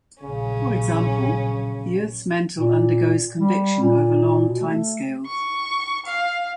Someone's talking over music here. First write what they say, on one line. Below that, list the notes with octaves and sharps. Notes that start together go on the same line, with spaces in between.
For example, the Earth's mantle undergoes convection over long time scales.
A#1 A#2 C#3 F#3 C#4
A#2
G3
A#2
B2
A3
C#6
F5